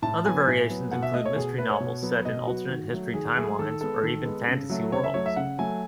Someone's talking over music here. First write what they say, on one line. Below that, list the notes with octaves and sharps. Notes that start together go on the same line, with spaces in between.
Other variations include mystery novels set in alternate history timelines or even fantasy worlds.
A2 A5
F#3 B3 G#5
A2
F#3 B3
B2 F#5
E5
A3 D#5
C#5
B2 G#4
A3 B4
C#5
B2
F#3 B3
B2 D#5
F#3 B3 F#4
D#3
F#3 A3
D#3 G#4
F#3 A3 G#4
D#3 A4
G#3 B3 A4
D#3
G#3 B3
C#3
F#3 A3
C#3 C#5
E5
F#3 A3 C#5
E5
C#3 F#5
F#3 A3 G#5